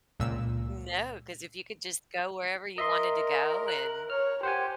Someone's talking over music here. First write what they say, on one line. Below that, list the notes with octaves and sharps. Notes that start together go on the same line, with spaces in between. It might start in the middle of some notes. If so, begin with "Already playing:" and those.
No, 'cause if you could just go wherever you wanted to go and
C#2 A#2 E6
A#4 D#5 E5 C6
F#6
C#5 F6
G4 C5 F#5 G#5